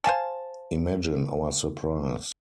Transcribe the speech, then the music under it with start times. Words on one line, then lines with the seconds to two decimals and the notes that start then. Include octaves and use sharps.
Imagine our surprise.
0.04 C5 F5 G#5 A5